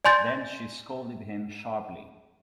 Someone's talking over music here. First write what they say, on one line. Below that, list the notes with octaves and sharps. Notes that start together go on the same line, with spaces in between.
Then she scolded him sharply.
D5 G#5 C6 G6 A6